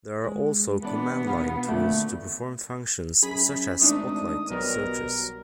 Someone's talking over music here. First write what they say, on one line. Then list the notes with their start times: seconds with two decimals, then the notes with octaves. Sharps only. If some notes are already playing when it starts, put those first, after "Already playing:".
There are also command-line tools to perform functions such as Spotlight searches.
0.24 G#3
0.83 E3 B3 D4 D5
1.27 B2 D#4 F5
1.68 A#2 D3 D#3 A3
3.23 F#2 G#4 B5 B6
3.81 G#1 A3 D4 D#4 D#6
4.50 B1 B2 F#3 G3 A#4